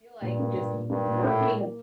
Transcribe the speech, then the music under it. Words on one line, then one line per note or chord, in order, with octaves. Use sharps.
I feel like just working
G2 A#2
A#3
A#2
A#2
G2 A#3
A#2
A2 A#3
A#3